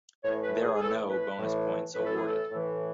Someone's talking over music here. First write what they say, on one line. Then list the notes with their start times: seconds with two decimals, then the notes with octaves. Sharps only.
There are no bonus points awarded.
0.24 A2 E3 C#5
0.43 B4
0.62 G#4
0.73 G#4
0.81 A2 E3 A4
1.10 B4
1.38 A2 E3
1.94 A2 E3 B4
2.05 A4
2.17 G#4
2.28 A4
2.51 A2 E3